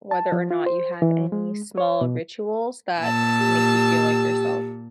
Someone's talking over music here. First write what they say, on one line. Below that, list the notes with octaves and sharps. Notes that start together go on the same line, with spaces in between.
whether or not you have any small rituals that make you feel like yourself.
A5
F3
F4
C5
E3
G#3
C#5
B2
A#2 A5 E6
G4